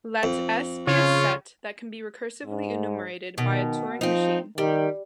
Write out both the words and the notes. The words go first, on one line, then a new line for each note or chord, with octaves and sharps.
Let S be a set that can be recursively enumerated by a Turing machine.
F2
C#3 F4 C#5
G#2
B2 D#3
F3 C4 D#4
D#3 G3